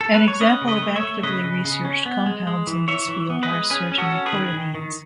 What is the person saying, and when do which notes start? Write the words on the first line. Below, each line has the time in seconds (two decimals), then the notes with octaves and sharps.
An example of actively researched compounds in this field are certain coronenes.
0.01 A4
0.14 B4
0.28 C#5
0.40 C#4 B4 D#5
0.62 C#3
0.68 B4 D#5
0.82 A3
0.96 C#5 E5
1.03 A3
1.23 C#3 B4 D#5
1.44 C#3
1.65 C#3
1.85 C#4
2.06 B3
2.26 G#3
2.47 G#3
2.67 E3
2.88 E3 C#5 E5
3.08 E3
3.30 B3
3.43 B4 D#5
3.50 G#3
3.70 C#4 G#4 B4
3.92 C#4
3.98 F#4 A4
4.12 C#4
4.26 G#4 B4
4.32 D#3
4.53 D#3
4.75 D#3